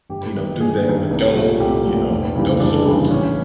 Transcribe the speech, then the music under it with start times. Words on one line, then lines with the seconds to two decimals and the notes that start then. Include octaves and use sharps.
You know, do that, but don't, you know, don't show up to
0.09 G1 G4
0.35 G2 D#3
0.59 G1 G#4
0.85 G2 D#3
1.11 C2
1.35 A#2 F3 A3
1.60 C2 G4
1.85 A#2 F3 A3
2.10 F1
2.36 D#2 C#3 E3 G3
2.60 F1 D4
2.85 D#2 C#3 E3 G3
3.11 A1 C#4